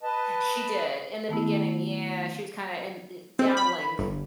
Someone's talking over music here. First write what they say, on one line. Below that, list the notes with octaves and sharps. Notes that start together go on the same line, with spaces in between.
She did, in the beginning, yeah, she was kinda in, uh dabbling
B4 D#5 A5
D#3 A3 B3 E4
C4
B5
G1